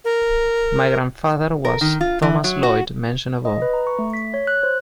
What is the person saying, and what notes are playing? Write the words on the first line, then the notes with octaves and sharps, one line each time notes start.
My grandfather was Thomas Lloyd mentioned above.
A#4
A#4
D#3
F4
E3
F#3
F#4
D#5
B4
A#5
C#6
A3
B6
C#5
F#6
C5